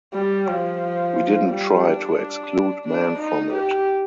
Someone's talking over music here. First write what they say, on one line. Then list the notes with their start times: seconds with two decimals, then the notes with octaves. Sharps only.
We didn't try to exclude men from it.
0.13 G3
0.47 F3
1.49 G3
1.83 D4
2.85 D4
3.18 D#4
3.52 G4